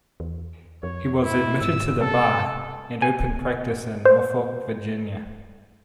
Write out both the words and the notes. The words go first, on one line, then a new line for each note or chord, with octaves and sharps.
He was admitted to the bar and opened practice in Norfolk, Virginia.
E2
F2 C#5
E4
G#2 E6
C3 A4
G#5
C5